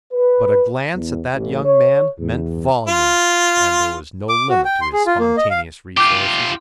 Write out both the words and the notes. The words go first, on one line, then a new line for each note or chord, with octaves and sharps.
But a glance at that young man meant volumes and there was no limit to his spontaneous resources.
B4
E2
A1
C#5
E2
F4
D6
F#4
G5
C6
G#4
F4
A#3
D#5
F5
F4 G4 D6 G6